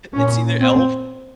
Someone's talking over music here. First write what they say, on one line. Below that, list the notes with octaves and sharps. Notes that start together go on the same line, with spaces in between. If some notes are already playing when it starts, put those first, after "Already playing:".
It's either Elf
A#2 C#4
C4